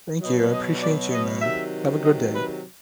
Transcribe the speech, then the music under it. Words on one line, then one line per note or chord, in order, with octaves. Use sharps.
Thank you, I appreciate you, ma'am. Have a good day.
B2 F#3 D#5
D#5
D5
D#5
C3 D#3 F#3 E5
D#5
B4